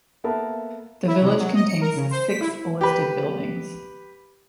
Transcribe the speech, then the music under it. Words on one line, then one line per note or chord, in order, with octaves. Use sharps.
The village contains six listed buildings.
A#3 B3 A4 A#4 E5 A5
E4
C3
F#3
D#5
C#7
A#4
C#3
C5
B6
E4
G4 B4